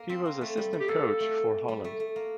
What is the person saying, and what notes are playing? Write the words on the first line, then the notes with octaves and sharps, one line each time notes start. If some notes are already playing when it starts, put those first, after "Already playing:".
He was Assistant Coach for Holland.
Already playing: A#3
C4
A#3
A3
G3
G3
G4
A#3 A4
A3
G3
A3
A3
A#3